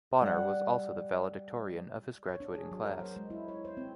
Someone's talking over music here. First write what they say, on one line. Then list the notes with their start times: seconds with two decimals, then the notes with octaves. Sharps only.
Bonner was also the Valedictorian of his graduating class.
0.21 G3 F#5
2.28 C#5
2.40 D4
2.55 G#4
2.72 F#3
2.84 A#4
3.00 C5
3.16 G#3
3.30 E4
3.48 C#5
3.65 C5
3.77 C4